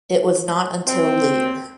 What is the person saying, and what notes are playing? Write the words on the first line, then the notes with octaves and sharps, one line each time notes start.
It was not until later.
C4